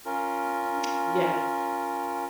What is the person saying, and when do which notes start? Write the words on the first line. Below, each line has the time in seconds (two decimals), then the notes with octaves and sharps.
Mm. Yes.
0.05 C#4 F4 A#4